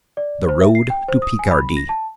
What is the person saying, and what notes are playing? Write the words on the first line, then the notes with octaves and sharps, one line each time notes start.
The Road to Picardy.
D5
C5
E5
C7
G5
C5
D#6
G#5
B5
A#6
A5